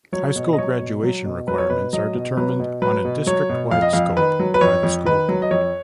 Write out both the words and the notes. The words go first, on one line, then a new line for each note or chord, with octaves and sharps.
High school graduation requirements are determined on a district-wide scope by the School Board.
F#3 C#5
B2
D#5
F#3 C#5
B2
F#3
B2
F#3 B4
C#5
B2 B4
F#3 D#5
B2
F#3 B4
B2
F#3 B4
B2
F#3 C#5
B2
F2 F5
D#5
F2 F5
D#3 B4
F#3
B4
F2 C#5
F2
D#3 B4
F#3
D#5
F2 C#5